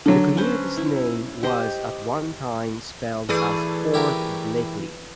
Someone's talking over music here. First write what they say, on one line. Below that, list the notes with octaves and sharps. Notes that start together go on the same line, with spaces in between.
The community's name was at one time spelled as Port Blakeley.
D3 F#3 A4
C#4 B4 C5
E4
G4 C5 D#5
E3 A3 G#4 D5
E4 G4 A#4